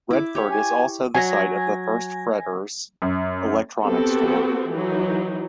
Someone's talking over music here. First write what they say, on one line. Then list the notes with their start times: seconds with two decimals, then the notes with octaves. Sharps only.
Redford is also the site of the first Fretter's electronics store.
0.11 E4 D6
0.35 G4 C#5
0.51 G#5
1.14 F#3 G#5 G#6 A#6
3.02 F#2
3.82 B3 C4 F#4 G4 A4
4.69 E3 F#3 D#4